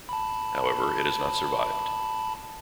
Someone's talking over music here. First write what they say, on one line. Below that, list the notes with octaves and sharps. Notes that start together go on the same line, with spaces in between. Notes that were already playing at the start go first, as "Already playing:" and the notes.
However, it has not survived.
A5 B5